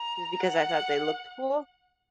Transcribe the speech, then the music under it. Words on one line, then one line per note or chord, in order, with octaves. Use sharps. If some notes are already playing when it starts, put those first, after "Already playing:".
just because I thought they looked cool.
Already playing: A#5
F#5